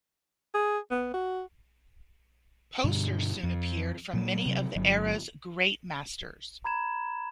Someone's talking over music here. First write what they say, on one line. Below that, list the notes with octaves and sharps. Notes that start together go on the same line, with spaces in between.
Posters soon appeared from many of the era's great masters.
G#4
B3
F#4
G2 B2 D3 G3
F2
A#2 F#3
C3 F#3
G1 F#3
A#5 B5 G#6 E7